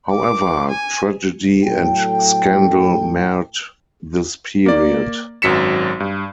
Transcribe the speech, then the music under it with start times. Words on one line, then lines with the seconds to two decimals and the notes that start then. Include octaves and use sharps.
However, tragedy and scandal marred this period.
0.13 D6
0.70 G#5
1.64 A2 F#3 A4 G5
4.66 A#3 D5
5.42 G#1 F#2 F#3 B6 C#7 E7
6.00 G2